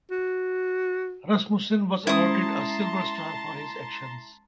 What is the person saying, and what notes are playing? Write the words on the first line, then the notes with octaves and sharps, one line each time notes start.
Rasmussen was awarded a Silver Star for his actions.
F#4
G#3 C#4 E4 C5 A5 A#5 C6 D#6